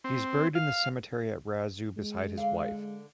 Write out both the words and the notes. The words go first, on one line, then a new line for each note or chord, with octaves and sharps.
He is buried in the cemetery at Raizeux beside his wife.
C4
F5
G#3
D3 F5